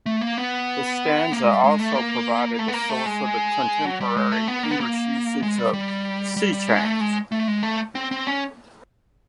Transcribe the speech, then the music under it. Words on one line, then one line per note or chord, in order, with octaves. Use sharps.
This stanza also provided the source of the contemporary English usage of "sea change".
A3
A#3
B3
A#3
G#3
G3
G#3
A3
A#3
A3
B3
A#3
A3
G#3
F#3
G3
G#3
A3
B3
A#3
B3
A#3
G#3
G3
G3
G3
G3
G#3
A3
G#3
A3
G#3
A3
C4
C4
C#4